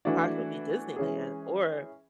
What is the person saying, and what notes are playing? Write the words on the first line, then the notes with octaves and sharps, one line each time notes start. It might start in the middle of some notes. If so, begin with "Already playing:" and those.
possibly Disneyland or
E3 A3 D4 F#4
E3 G#3 C#4 G#4